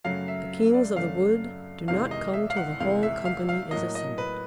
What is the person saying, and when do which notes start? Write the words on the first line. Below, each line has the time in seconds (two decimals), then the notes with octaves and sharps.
"The kings of the wood do not come till the whole company is assembled."
0.04 F#2 C#3 F#3 A3 F5
0.28 E5
0.74 D5
0.96 F#2 C#3 F#3 A3 F5
1.88 E2 C3 D#3 G#3 F5
2.11 D#5
2.33 E5
2.50 F5
2.57 F#5
2.80 E2 C3 D#3 G#3 F5
3.03 E5
3.25 F5
3.49 F5
3.71 A2 F#3 A#3 D#5
3.95 D#5
4.18 B4